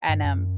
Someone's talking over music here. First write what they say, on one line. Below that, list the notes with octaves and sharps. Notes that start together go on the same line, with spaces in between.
and, um
G2
F#2